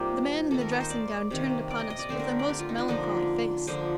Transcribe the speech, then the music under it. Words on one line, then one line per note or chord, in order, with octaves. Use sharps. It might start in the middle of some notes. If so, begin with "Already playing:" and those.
The man in the dressing-gown turned upon us with a most melancholy face.
Already playing: C3 G3 A#3 D#4 F4 G4
D#3 A#3 A4
A#4
D#4
C5
D5
C3 D#3 A#3
D5
D#5
D#5
D5
D3 A3 C4 C5
A#4
D5
G4
F4
D#4
D4
D3 F3 A#3 D#4
D3 F3 A#3 C5